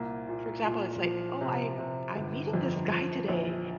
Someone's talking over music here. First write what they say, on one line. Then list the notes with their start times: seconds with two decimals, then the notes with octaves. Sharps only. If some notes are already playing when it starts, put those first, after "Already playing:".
For example, it's like, "Oh, I I'm meeting this guy today,
Already playing: C2 A#2 A#3
0.29 A#2
0.66 A#2
1.03 F3
1.41 C3
1.78 C3
2.16 G1
2.53 F2
2.91 F3
3.28 A#1